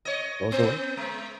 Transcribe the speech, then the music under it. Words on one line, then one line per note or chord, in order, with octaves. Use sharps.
goes away.
C#5 D#5
B3
G#3